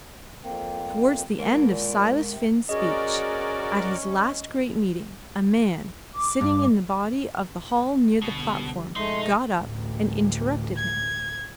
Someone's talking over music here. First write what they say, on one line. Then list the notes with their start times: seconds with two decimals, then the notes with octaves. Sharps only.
Towards the end of Silas Finn's speech, at his last great meeting, a man, sitting in the body of the hall near the platform, got up and interrupted him.
0.44 F2 A#3 C4
1.39 G#3 A#4
1.65 A#2
2.28 C3
2.69 C#4 F#4 G#4 A#4 D5 D#5
6.14 D6
6.41 G2
8.22 C#2 B2 D3 G3
8.96 B2 F3 G#3 A3 D#4 C6
9.58 A1 D2
10.77 G#6